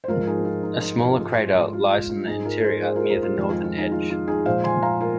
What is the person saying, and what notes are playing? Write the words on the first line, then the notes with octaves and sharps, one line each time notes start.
A smaller crater lies on the interior near the northern edge.
C5
G#2 F3 G#3 F4 A#4
D#4 G#4
F4
D#4
D#4
F4
G#2 G#3
F4
F4
F4
G#2 G#3 D#4 G#4
F4 A#4
G#4 C5
G#4 C5
F4 A#4
C5
F4 A#4
F4
F2 D#3 G#3 F4
F4
F4
D#4 G#4
F4
F4
D#4 G#4
A#2 F3 G#3 C5 F5
G#5 C6
F5 A#5
F4 A#4